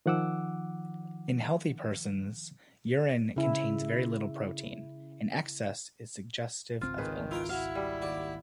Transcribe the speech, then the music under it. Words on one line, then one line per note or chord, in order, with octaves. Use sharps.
In healthy persons, urine contains very little protein; an excess is suggestive of illness.
D#3 F3 F#5 D6 E6
C#3 E4
G#1 C#2 C4 F4
D#3 G#4 B4
E4 F4 A#4 G5
F#3 E4 F#4 F5
G3
D#2 F#4 D5